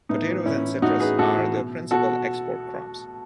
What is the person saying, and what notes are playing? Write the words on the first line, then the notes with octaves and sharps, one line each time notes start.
Potatoes and citrus are the principal export crops.
A2 B3 D#4
E3
A2 C#4 E4
E3
A2 D#4 F#4
E3 G#4 B4
A2 F#4 A4
E3
B2
B2 F#4 A4